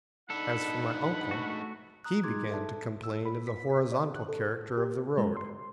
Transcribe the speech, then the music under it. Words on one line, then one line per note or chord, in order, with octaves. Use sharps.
As for my uncle he began to complain of the horizontal character of the road.
G#3 D4 D#4 A4 F#5 B5
A3 F#4
A#5 D#6 F#6
D#4 G#4 C6 D6 G#6
A4 E5 A5
E6
B5
B6
D5
F#6
A4
G4
G#3
C6